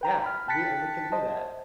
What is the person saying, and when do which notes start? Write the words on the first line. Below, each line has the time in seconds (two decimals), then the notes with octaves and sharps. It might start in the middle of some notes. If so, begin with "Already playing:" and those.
Yeah, we and we can do that.
0.01 B4 G5 A#5
0.24 B5 F6
0.48 G5 A5 F#6 A6 B6 C#7
1.12 C5 D#5 A5